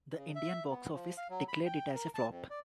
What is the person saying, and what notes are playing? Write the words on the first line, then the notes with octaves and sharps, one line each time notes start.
The Indian Box Office declared it as a flop.
C#3
E5
B3
F3
F5
F#3
B5
G5
A#4
A5
F2
D5